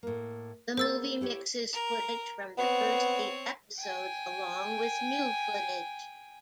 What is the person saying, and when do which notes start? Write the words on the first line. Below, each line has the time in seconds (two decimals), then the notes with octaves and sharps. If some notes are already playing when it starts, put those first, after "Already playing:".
The movie mixes footage from the first eight episodes along with new footage.
0.03 A2 A#3
0.77 A#3 B3 G#4 C5 E6 A6
1.21 E4 G4 C#5
1.72 A#4
2.58 B3 C4 C#5
3.78 G5 G#5